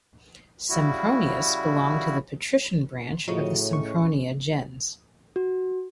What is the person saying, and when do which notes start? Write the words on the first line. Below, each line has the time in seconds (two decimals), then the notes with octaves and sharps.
Sempronius belonged to the patrician branch of the Sempronia gens.
0.70 C#3 G3 E4 F#4
3.28 A2 C#3 F3 D#4 F#4
3.73 C#4 C#6
5.36 F#4